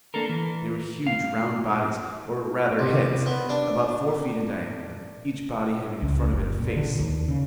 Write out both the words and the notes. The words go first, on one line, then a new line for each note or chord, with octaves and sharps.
They were huge round bodies--or, rather, heads--about four feet in diameter, each body having in front of it a face.
A#3 D4 A4 A#4
E3
F5
C2
B3
D4
C#2
F#1
A#2
D3
D#2
C#3